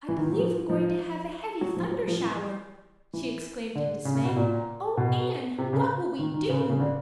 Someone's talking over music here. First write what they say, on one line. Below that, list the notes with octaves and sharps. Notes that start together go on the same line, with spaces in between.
"I believe we're going to have a heavy thunder-shower," she exclaimed in dismay, "Oh, Anne, what will we do?"
E3
D#3
E3
F#3
F3
F3
F#3
F3
F#3
F3
E3
E3
D3
C#3
C#3
B2
A#2
B2
C3
C#3
D#3
D#3
C#3
C#3
D3